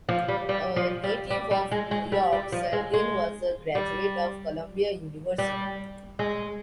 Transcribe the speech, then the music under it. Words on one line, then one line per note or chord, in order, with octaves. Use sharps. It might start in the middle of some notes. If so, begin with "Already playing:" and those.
A native of New York, Seldin was a graduate of Columbia University.
F3
G3
G3
F3
G3
G3
G3
G#3
G#3
G3
G3
F3
G#3
G#3
G3
G3
G#3